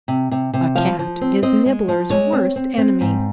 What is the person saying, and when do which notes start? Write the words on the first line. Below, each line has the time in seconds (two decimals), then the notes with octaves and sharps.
A Cat is Nibbler's worst enemy.
0.08 C3
0.31 C3
0.53 C3
0.75 F3 F5
0.99 F3
1.21 C4
1.43 C4 D#5
1.66 G#3
1.88 F3
2.10 G#3 C#5
2.33 C4
2.56 C4
2.78 C4
3.01 G#2